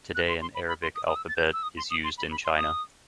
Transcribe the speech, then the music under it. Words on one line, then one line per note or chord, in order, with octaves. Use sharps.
Today an Arabic alphabet is used in China.
F#6
C6
C6
B5
B5
C6
D#6
D#6
E6
A6
G6
E6
D#6
C6
D#6
C6
B5
B5
C6
D#6